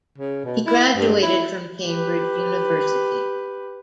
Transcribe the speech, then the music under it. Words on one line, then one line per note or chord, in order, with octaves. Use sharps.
He graduated from Cambridge University.
C#3
B2
E4
G2
E4
G4 B4